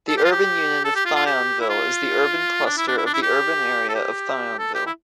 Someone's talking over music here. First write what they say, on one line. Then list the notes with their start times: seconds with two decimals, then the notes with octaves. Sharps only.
The urban unit of Thionville is the urban cluster of the urban area of Thionville.
0.08 A4
0.17 G4
0.24 F4
0.32 G4
0.84 A4
0.95 G4
1.05 F4
1.15 F4
1.26 G4
1.60 E4
1.69 F4
2.66 D4
2.77 E4
2.88 D4
2.97 E4
3.06 D4
3.14 E4
3.22 G4
3.89 A4
3.95 G4
4.58 A4
4.74 G4
4.86 E4